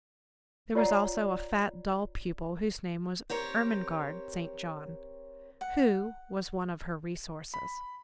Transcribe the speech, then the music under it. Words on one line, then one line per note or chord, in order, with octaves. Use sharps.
There was also a fat, dull pupil, whose name was Ermengarde St. John, who was one of her resources.
F4 C#5 D5 F#5 A#5
C4 G4 A#4 C#5
F#5
B5